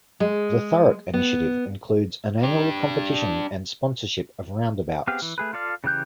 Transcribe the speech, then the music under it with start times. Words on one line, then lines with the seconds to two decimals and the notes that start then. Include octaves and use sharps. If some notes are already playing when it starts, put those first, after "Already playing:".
The Thurrock initiative includes an annual competition and sponsorship of roundabouts.
0.20 G#3
1.14 B3
2.43 D4 G4
5.07 B3 C4 G4 G#4 F5
5.22 E3
5.38 A3 G#4 B4
5.53 F4 A4 D5 F5
5.84 C#3 E3 G4 F#6 G6